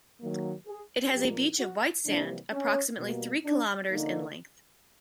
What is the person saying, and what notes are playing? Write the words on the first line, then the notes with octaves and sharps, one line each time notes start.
It has a beach of white sand, approximately three kilometres in length.
D#3 F#3 A#3
G#4
A#2 F3 A#3 G4
F#4
C3 E3 G3 A#3 D4
C#4
B2 G3 A#3
D4
D3 F3 A#3 D#4